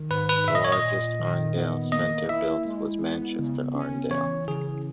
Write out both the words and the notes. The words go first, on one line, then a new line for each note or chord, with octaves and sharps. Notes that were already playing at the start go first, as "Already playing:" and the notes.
The largest Arndale Centre built was Manchester Arndale.
Already playing: D#3
G#2 B4
B4
A#2 E5
D#5
C#5
D#5
A#2
D#3
B3
A#3 D#5
E4 E5
G#3
B3
C#3
C#4
E3 C#5
C#3 G#4